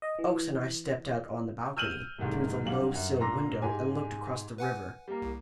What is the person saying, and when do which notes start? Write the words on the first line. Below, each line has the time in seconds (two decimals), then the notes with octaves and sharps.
Oakes and I stepped out on the balcony, through the low-silled window, and looked across the river.
0.02 D#5
0.19 E3
1.77 E6 F6 G6 D#7 E7 F#7
2.18 C2 G#2 D#3 G3 A3
2.64 D3 F#3 G3 F5 F#7
2.94 F#2
3.20 A#2 D4 A#5 C6 E6 A#6
3.62 G#2 G4 G#5
4.58 B4 F#5 G#5
5.08 G3 A#3
5.22 C2